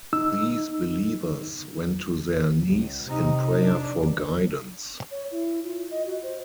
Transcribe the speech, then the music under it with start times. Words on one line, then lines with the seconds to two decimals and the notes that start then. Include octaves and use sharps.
These believers went to their knees in prayer for guidance.
0.13 D#4 E6
2.67 C#2
3.05 C3 D#4
3.62 D4
5.11 C#5
5.31 E4
5.64 F4
5.91 D#5
6.06 F#4
6.23 C5